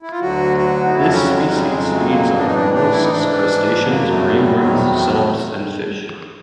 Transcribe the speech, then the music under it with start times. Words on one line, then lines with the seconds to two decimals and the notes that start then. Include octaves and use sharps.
This species feeds on molluscs, crustaceans, marine worms, salps, and fish.
0.03 E4
0.11 F4
0.20 D2 D3 F#3 F#4
0.57 F#4
0.85 D#4
0.92 F2 C#3 F#3 E4
1.02 D4
1.11 C#4
1.29 G#3
1.48 G3
1.66 F2 C#3 F#3 G#3
1.93 A3
2.02 A#3
2.38 A2 E3 D4
2.46 D#4
2.54 D4
2.74 D4
2.92 E4
3.01 D#4
3.11 G#2 E3 D4
3.83 F#2 C#3 F#3 A#3
4.08 A3
4.32 G3
4.56 E2 C3 D#3 F#3 G3
4.93 A3